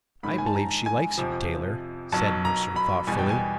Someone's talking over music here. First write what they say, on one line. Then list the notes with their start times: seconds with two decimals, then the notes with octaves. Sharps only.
"I believe she likes you, Taylor," said Mercer thoughtfully.
0.23 A#1 G#2 D#3 B5
0.38 G#5
0.46 A5
0.55 A#5
0.86 G#5
1.18 F2 C3 F3
2.12 B1 B2 F#3 A5
2.45 A#5
2.76 B5
3.07 E2 B2 G3 G#5
3.19 G5
3.30 G#5